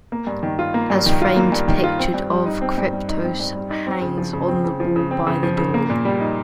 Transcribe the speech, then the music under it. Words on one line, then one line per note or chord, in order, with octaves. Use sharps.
A framed pictured of "Kryptos" hangs on the wall by the door.
A#3
G2
D#3
F4
A#3
G2
D#3
F4
A#3
G2
D#3
F4
C4
G2
G3
D#4
C4
G2
G3
D#4
C4
G2
G3
D#4
C4
C#3
F3
C#3
C4
C#3
F3
C#3
C4
C#3
F3
C#3
A#3
A#2
G3
D#4